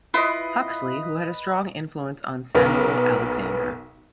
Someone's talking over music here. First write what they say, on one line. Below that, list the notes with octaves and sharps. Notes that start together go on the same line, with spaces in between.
Huxley, who had a strong influence on Samuel Alexander.
E4 F4 B4 D#5
B1 B3 A#4